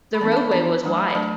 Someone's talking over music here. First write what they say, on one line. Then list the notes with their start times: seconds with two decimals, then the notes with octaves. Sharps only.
The roadway was wide.
0.14 B5
0.21 E3 B3 D4 A5
0.32 A5
0.37 B5
0.52 E3 B3 D4 A5
0.83 F#3 A3 D4
1.10 B5
1.15 F#3 A3 D4 A5